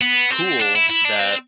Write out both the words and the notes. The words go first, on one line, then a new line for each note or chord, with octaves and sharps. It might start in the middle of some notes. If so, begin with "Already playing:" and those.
cool that
B3
C4
D4
E4
E4
D4
C4